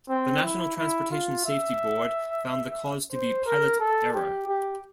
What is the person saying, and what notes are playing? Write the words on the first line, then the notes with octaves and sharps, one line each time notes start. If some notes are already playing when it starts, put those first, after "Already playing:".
The National Transportation Safety Board found the cause to be pilot error.
C4
E4
E4
F4
E5
C5
A#4
A4
G4
G4